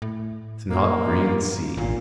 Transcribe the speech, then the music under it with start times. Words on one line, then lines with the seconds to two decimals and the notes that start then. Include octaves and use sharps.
The snotgreen sea.
0.02 A2
0.70 A#3
1.77 G#1 A#2